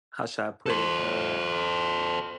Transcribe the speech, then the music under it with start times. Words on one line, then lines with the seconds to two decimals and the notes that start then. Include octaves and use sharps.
How should I put it? Uh,
0.66 A4 C5